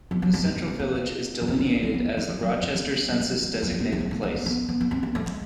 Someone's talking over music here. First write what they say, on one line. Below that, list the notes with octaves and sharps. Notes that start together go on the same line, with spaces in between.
The central village is delineated as the Rochester census-designated place.
F3
F#3
G3
G#3
G#3
A3
A#3
B3
A#3
A#3
B3
C4
B3
A#3
A3
G3
F#3
G3
G3
D#3
G#3
G3
G3
G#3
A3
G#3
G3
F#3
G3
A3
G#3
A3
A3
A#3
B3
B3
B3
C4
A#3
A3
G#3